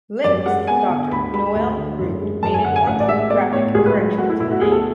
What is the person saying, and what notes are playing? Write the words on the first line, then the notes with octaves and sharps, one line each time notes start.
Linguist Doctor Noel Rude made an orthographic correction to the name.
F#2 D5
G#3 F#5
B3 G#5
D3
D2 B5
G#3 B5
D2
D3
F#2
G#3
F#2 A5
G#5
D3 F#5
G#5
A1 F#5
D5
G#3 E5
B3 D5
A2 C#5
C#2 G#4
B4
F#3
A3 F#4
E4
B2 E4
F#4
D2 G#4
A4